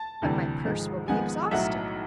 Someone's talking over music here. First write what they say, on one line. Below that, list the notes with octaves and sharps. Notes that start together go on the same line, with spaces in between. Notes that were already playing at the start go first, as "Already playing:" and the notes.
"But my purse will be exhausted."
Already playing: A5
D2 C3 E3 G3
G#1 G#2 F3 G#3
G#1 G#2 F3 G#3 B3 F#5 G#5
B1 A2 F#3 E5 F#5